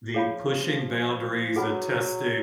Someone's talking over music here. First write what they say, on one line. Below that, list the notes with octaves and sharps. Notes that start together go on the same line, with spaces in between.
the pushing boundaries and testing,
F3 G#4 C#5 F5 B5
F#3 G#4 B4 F#5 B5